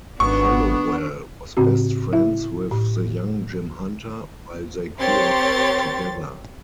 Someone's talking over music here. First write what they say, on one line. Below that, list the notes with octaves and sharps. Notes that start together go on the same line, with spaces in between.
Hollowell was best friends with the young Jim Hunter while they grew up together.
G#1 B3 D4 C#6
A2 C#3 C4 F#4
E4 E5
A2
C4 G4 A#4 C#5 C6 A6